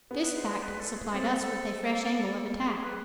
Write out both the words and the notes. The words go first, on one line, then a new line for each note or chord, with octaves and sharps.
This fact supplied us with a fresh angle of attack.
B3 G#4
B4
C5
D5
B4
A4
G#4
C4 A4
A4
G#4
B4